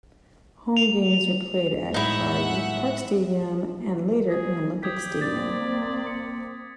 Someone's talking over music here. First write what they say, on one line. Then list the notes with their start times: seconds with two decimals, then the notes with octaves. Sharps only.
Home games were played at Jarry Park Stadium and later in Olympic Stadium.
0.77 F7
1.94 A2 G#3 D#4 E4 E5 F#5
4.29 G#4
4.83 G4 D#6 G#6 B6
5.21 A#3 C4 D5 A6
6.07 C#7